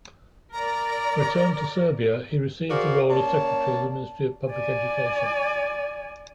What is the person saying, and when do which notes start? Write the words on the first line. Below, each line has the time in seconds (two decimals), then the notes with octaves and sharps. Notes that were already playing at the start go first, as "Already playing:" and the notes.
Returned to Serbia, he received the role of secretary of the Ministry of Public Education.
0.53 A#4 D5 A#5
2.70 F#4 G#4 A#4 C5 D5 F5
3.10 A#3 C#4 C#5 D5 A5
4.51 D5 G#5